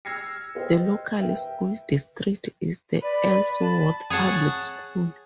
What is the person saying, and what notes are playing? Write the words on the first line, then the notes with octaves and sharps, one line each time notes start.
The local school district is the Ellsworth Public School.
E6 F6 G#6 A#6 C7 C#7
B4 C5 D#5 G5
B4 E5 G5
B4 D5
A5 B5
G#4 C#5 F#5 A5